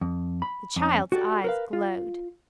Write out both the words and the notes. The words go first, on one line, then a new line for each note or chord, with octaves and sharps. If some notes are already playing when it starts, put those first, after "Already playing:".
The child's eyes glowed.
F2
B5
F2 C#4
F#4 G4 A4 D5
A#4 B4 F5
F4